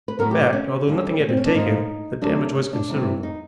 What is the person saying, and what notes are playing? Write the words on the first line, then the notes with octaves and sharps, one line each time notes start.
In fact, although nothing had been taken, the damage was considerable.
B4
A2 F#3 B3 A#4
G4
G4
C#4
D#2 D3 G3
C#4
C4
C#4
D4
G#2 F3 A#3 D#4
C3 D#3 F#3 A3 D4
C#4
D4
C3 E3 G3 C4
D#4